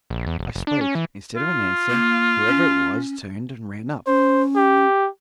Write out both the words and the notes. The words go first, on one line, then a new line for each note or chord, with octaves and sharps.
I spoke; instead of an answer, whoever it was turned and ran up.
A#1
E2
F1
F#1
D4
C#4
E3
F4
A#3
C#4
C#4 C5
G4